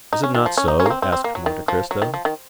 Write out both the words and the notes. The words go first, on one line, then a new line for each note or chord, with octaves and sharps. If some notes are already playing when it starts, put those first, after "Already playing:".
"Is it not so?" asked Monte Cristo.
D#4
C#4
D#3
F3
C#4
D#4
C#4
A#3
C4
C4
C4
A#3
F#3
D#3
F3
F#3
D#3
F3
D#3